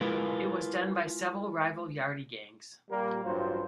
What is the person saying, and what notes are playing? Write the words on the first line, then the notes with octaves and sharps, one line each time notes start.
It was done by several rival yardie gangs.
G#3 E4 F4 A#4 B4
A#2 G3 A#3
A1 G2 F#3 F4 F#4 C5